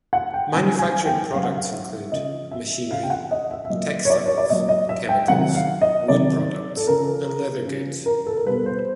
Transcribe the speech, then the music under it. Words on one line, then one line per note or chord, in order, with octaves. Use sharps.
Manufactured products include: machinery, textiles, chemicals, wood products, and leather goods.
F#5
G5
C#3 F#3 G#5
G#5
G5
C#3 F#3 F5
F#5
F5
E5
C#3 F3 D#5
E5
C#3 F3 F5
G5
F#5
D#5
E5
E5
A#2 F#3 D#5
C#5
D5
C#5
D5
A#2 F#3 D#5
D#5
E5
G5
C3 D#3 F#3 F#5
F5
D#5
C3 D#3 F#3 D5
A4
C#3 F3 A#4
C#3 F3
A#4
A4
A#4
B2 G3 B4
C5